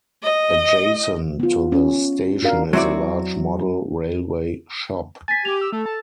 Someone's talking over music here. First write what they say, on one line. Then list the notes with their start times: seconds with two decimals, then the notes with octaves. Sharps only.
Adjacent to the station is a large model railway shop.
0.23 D#5
1.40 B3 F4
1.72 C#4
2.42 D4 F#4 A#4 F5
2.73 F#3 C4 E4 F#4 D5
5.28 G#5 A6 B6
5.45 G4 F7
5.61 E6
5.72 A3 A4
5.86 A5